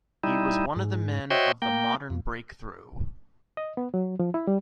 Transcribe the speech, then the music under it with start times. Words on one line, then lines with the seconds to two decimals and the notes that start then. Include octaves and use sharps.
He was one of the men of "the Modern Break-through".
0.24 G3 D#4 E4
0.76 G#2
1.30 F#4 C5 C#5 D#5 E5 G5
1.62 A#3 G5
2.10 F2
3.57 D#5
3.77 B3
3.94 F#3
4.19 F3
4.34 E4
4.47 G3